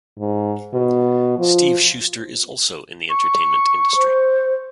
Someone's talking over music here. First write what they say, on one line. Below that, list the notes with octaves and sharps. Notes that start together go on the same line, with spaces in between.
Steve Shuster is also in the entertainment industry.
G#2
B2
F3
C#6
C5